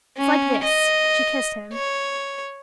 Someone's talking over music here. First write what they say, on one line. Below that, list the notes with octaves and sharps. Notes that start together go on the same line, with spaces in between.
"It's like this." She kissed him.
C#4
D#5
C#5